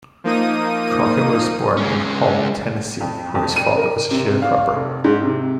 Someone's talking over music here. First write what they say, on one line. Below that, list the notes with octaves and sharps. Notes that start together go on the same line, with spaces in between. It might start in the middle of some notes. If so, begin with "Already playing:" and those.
Crockett was born in Hall, Tennessee, where his father was a sharecropper.
F3 A#3 D#4 D#6 D#7
G#3 C#4
F2
F2
D#7
A#4
C3
F5
F1
G#2
C3